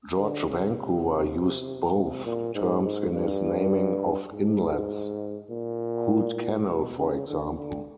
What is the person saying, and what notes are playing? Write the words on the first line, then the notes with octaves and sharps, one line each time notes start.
George Vancouver used both terms in his naming of inlets, Hood Canal for example.
D3
C#3
C3
C3
A#2
G#2
G#2
G2
G#2
A#2
B2
C#3
D3
D3